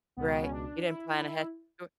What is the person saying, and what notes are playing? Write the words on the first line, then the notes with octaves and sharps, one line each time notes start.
Right, you didn't plan ahead? You
C#2 B2 B3
C#4
D4
E4